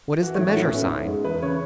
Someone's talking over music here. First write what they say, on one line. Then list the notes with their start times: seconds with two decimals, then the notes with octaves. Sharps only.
"What is the measure-sign?"
0.22 E3 F#4
0.35 A2 C#5
0.48 F#4
0.57 A2 E4
0.73 B3 C#4
0.90 G#2
1.08 G#3
1.25 E2 B4
1.42 C#3 C#5